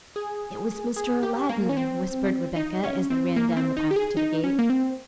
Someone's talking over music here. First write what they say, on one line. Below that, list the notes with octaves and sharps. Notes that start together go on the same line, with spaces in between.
"It was Mr. Aladdin," whispered Rebecca, as they ran down the path to the gate.
G#4
G#4
G4
A#3
C#4
C4
D#4
C#4
C4
A#3
C4
D#4
G4
G#4
D#4
C#4
A#3
C4